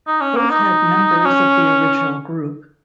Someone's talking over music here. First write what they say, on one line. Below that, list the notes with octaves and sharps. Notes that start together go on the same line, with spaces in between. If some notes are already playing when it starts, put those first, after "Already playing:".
Both had members of the original group.
D#4
C#4
A#3
D#4
C#4